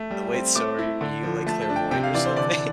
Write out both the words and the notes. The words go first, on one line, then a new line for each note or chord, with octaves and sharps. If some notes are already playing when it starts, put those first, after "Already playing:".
Wait, so are you, like, clairvoyant or something?
Already playing: A3
G3
C4
A3 D6
E4
D3
F3
A3 A5
A5
D4
G5
C3 G5
F5
E3 D5
C5
D3 D5